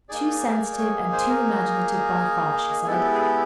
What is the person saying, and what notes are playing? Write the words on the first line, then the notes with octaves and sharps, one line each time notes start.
"Too sensitive and too imaginative by far," she said.
A#3 D#4 G#4 D5
C#5
C5
A#4
G#3 B3 E4 G4 A4
A4
G#4
A4